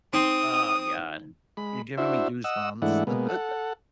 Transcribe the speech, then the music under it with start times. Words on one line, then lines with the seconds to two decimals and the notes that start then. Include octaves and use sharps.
Oh God. Uh, you're giving me goosebumps.
0.13 C4 D#4 C6 D#6
1.57 G#3 B5
1.98 D4 E4 F#4 C5 E5
2.44 D#5 F#5 E6
2.82 G#2 E3 A3 D4 E4 F#5
3.07 B2 G#3 A#3 B3
3.29 A4 F#5